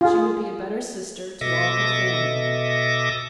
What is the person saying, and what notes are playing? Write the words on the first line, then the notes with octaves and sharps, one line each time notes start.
She would be a better sister to all her family.
F4 G#4
B2 A4 D#5 E5 D6 A#6